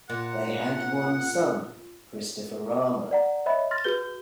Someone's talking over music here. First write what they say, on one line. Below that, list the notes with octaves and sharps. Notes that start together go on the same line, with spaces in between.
They had one son, Christopher Rama.
A#2 F#5
D5 F#5 A#5
C#5 D#5 E5 B5
C6 F6 A6 A#6
F#4 G#4 B4 G6 G7